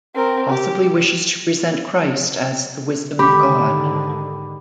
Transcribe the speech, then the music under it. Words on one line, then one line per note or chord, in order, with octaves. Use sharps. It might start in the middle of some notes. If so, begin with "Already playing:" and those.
Possibly wishes to present Christ as "the wisdom of God".
C4 A#4
G4
G#2 D3 D#3 G4 B5 D6